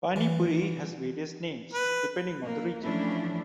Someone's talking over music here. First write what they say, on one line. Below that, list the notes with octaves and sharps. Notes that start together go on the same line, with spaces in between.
Panipuri has various names, depending on the region.
E3
B4
A#3
E3 F3 A3 C#4 D4 E4